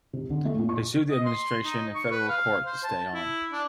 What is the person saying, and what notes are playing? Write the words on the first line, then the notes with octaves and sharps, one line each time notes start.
They sued the administration in federal court to stay on.
C3
D3
A3
A#2
C#6
D#5
C6
D#4
C#6
B4
F5
C5
A5
E4
D4